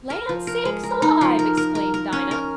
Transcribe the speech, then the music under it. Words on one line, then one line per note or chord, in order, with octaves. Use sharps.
"Land sakes alive!" exclaimed Dinah.
A#4
F3
A#4
G#3
A#4
D#4
F3
A#4
A#4
A#4
A#4
C#4
A#4